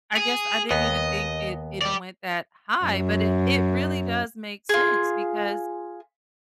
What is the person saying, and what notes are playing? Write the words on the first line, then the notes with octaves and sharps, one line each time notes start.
I guess I didn't even think it it went that high but it it really does make sense because,
G#4
D#2 B3 D#5
G4 D5
F#2
F4 G#4